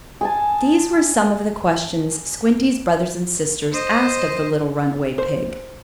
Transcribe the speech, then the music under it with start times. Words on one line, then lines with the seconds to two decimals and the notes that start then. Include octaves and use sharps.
These were some of the questions Squinty's brothers and sisters asked of the little runaway pig.
0.21 G#4 G#5 A5
3.72 C5 D#5
5.18 C5